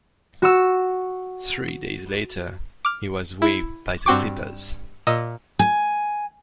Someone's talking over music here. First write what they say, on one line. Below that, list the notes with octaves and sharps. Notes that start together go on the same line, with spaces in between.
Three days later, he was waived by the Clippers.
F#4 C#6 E6
D6 F6
E4
G2 C4 F#4 G5 C#6 D6
A#2 D#5 E6
G#5